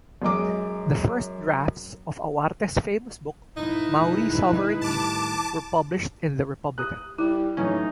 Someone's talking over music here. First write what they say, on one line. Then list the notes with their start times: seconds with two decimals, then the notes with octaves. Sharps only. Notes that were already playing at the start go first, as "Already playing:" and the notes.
The first drafts of Awatere's famous book "Maori Sovereignty" were published in "The Republican".
0.22 F#2 G#3 D#5 D6
3.57 B1 F2 G#2 D#4 E4 B4
4.01 B2 D#3 G#3
4.81 A2 D#3 G3 A5 D6
6.78 D#6 F#6
7.18 G3 E4 F#6
7.57 A2 E3 F#3 C#4 D#4